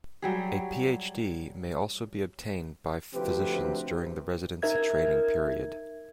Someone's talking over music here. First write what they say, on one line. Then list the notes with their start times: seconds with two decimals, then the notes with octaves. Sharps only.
A PhD may also be obtained by physicians during the residency training period.
0.22 F#3 G3 G#4
3.14 D2 C3 F3 C4 G4 B4
4.62 D#4 A#4 E5 G#6